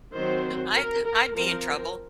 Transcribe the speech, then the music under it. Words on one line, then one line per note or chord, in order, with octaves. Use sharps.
I'd I'd be in trouble.
D#3 F#3 C4 C5
A#4
A#4
F3 C4 A#4